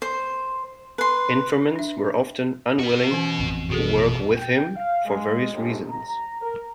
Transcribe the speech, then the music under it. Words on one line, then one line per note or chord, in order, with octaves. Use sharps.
Informants were often unwilling to work with him for various reasons.
C5
B4 C6
D4 E5
B3 F#4
E3 C#4
A1 F2 C3
B2 F#4 G#4 A4
G5
F5
G#3
G1
A#5
A#4